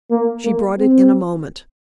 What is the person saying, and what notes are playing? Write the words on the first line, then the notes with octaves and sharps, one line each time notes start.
She brought it in a moment.
A#3
A#3
C4